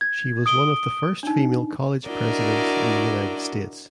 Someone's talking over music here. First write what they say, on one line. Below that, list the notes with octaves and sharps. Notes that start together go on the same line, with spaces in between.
She was one of the first female college presidents in the United States.
G#6
D#6 D7 G7
D4 D#4
D4 E4 F#4 A#4 D5 D#5